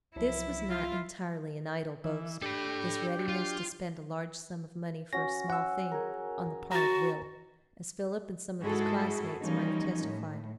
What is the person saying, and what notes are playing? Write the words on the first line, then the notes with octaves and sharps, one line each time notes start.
This was not entirely an idle boast, this readiness to spend a large sum of money for a small thing--on the part of Will, as Philip and some of his classmates might have testified.
C2 F3 F#3 E4
F4
E3
D4 G4 A4 B5
F4
C#4 F#4 A#6
F#5 E6
G#4 A#4
F#4 A#5 A6
G#2 G#3 E4 F#4 G#4 A4
E3 F3 G3 A#3 C#4 D#4
A2